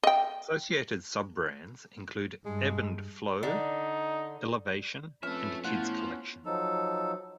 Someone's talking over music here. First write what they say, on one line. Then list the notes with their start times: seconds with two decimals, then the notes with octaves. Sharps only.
Associated sub-brands include Ebb and Flow, Elevation and Kids Collection.
0.03 D#5 G5
2.45 G2 G#3
3.43 D3 D#4
5.23 F2 C#4 A4 B4 E5
5.64 A2 F3 B3 F#5
6.45 F3 F#3 D#4 A4